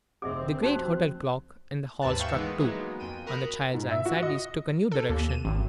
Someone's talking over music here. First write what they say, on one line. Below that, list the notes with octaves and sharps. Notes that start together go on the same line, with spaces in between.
The great hotel clock in the hall struck two, and the child's anxieties took a new direction.
F1 C4 G#4 D#5 E5
D#4 F#4 C5
D#2 G#2 B4 A5 F#6
E5 F5 G5 A5 C#6 E6
D#3 E3 G#3 B3 D#4
F#3 G#3 A#3 B3 D#4
F2 G5 D#7
F#4 A#4 A#5 B5 D#6
G#2
E5
F#4
D#5
A4
D#2
D#7
G#1